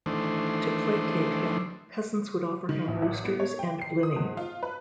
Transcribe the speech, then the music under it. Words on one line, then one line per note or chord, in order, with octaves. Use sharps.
To placate him, peasants would offer him roosters and bliny.
D#3 E3 A3 D4 C5
D#3
A#1
A1
B3
C#5
G5
C7
D#6
G#2
F4
B4